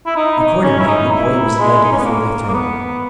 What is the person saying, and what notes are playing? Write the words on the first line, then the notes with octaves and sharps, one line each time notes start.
Accordingly, the boy was led before the throne.
E4
D#4
D#4
C#4
E4
D#4
E4
G#3
D#4
C#4
B3
A#3
A#3
B3